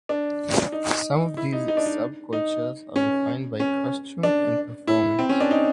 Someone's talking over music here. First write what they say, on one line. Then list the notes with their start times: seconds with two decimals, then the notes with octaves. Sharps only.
Some of these sub-cultures are defined by costume and performance.
0.09 D4
0.72 D#4
1.37 E4
1.53 D#4
1.68 D#4
1.77 D4
1.86 D#4
2.33 D#4
2.96 C#4
3.60 C#4
4.23 D4
4.87 E4
5.19 C4
5.29 C#4
5.40 D4
5.51 D#4